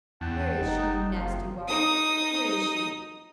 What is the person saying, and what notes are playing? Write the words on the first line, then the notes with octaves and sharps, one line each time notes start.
Where is she, you nasty whelp, where is she?
E2 F#5 G5 A5
F#1 D#4
F#1 C3 D#3 F4
D#4 D#6